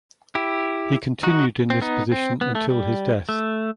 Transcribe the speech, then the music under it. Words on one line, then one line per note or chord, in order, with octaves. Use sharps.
He continued in this position until his death.
E4 G4
D#4 F#4
C4
B3 D#4
C4
B3
A3
G3
A3